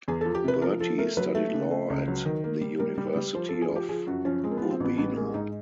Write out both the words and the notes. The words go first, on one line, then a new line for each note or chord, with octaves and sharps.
Berti studied law at the University of Urbino.
E2 G#4
F3 A4
G4
C3 B4
F3 A#4
F3 A4
A3 A#4
F#3 B4
A3
C#3
A3
C#2
F#3
D#3
A#3
G3
G3 A#4
G3
B4
G3
F3 C5
F3 A4
G#4
F3 G4
F3 G#4
F#2 F#4
F3 C#4
G#3 C4
A#3
B3
F3
C4
A1 B3
A1 B3
G#3 A#3
G#2 D#4